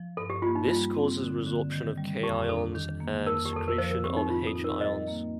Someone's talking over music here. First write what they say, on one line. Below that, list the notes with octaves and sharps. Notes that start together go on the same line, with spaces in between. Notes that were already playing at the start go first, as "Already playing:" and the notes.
This causes resorption of K ions and secretion of H ions.
Already playing: F3
G2 A4
G4
A#3 F4
D#4
G3 F4
C4
D3
D3
D#3
G3
F2 G4
D4 A4
D#3
A#3
F2 A#4
G4
F2 A4
A#4
F3 C5
A#4
C4 G4
D#4
A2 F4
A4
D#4
A#4
G3 D#5
A#3